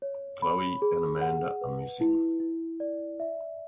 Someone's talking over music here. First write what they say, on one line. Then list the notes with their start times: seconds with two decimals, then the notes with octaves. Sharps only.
Chloe and Amanda are missing.
0.02 C#5
0.42 B5
0.82 G#4
1.21 F#5
1.61 B4
2.01 E4
2.40 E4
2.80 D5
3.20 E5